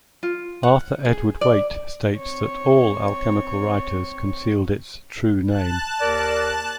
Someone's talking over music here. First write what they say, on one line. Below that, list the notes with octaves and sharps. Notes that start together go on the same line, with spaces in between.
Arthur Edward Waite states that all alchemical writers concealed its "true name".
F4
F#5
G#4
D5
C4 C#5
A5 F#6
D#2 A#4 D5